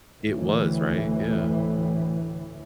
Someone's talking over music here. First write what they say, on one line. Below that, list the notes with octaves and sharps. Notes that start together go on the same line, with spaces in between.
It was, right? Yeah.
D2 A2 E3